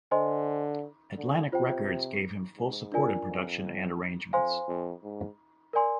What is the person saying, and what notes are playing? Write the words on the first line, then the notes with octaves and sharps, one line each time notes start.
Atlantic Records gave him full support in production and arrangements.
D3 C5 D#5 G#5 C6
D3
C3 F4 C5 G5
G#2
D4 F4 A#4 D5 G#5
F2
F2 C5 F5 G#5 C6
F2
G#2
A#4 D5 G#5 C6